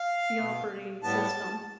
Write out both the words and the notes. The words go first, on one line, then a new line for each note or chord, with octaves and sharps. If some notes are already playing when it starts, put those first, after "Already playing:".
the operating system.
Already playing: F5
B2 B3
A2 G3 B3 A5